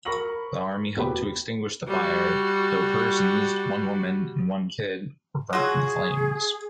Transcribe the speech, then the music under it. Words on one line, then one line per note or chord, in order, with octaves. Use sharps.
The army helped to extinguish the fire: tho persons, one woman and one kid, were burnt from the flames.
A#4 B5 C#6 A#6 F#7
E1 B2 B3 G4 B5
G3 F#4
F#3 F4 F#4 G#4